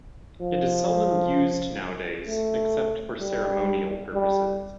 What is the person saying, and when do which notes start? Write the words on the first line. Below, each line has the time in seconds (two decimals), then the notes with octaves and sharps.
It is seldom used nowadays except for ceremonial purposes.
0.41 F3
2.28 A3
3.21 G3
4.14 G3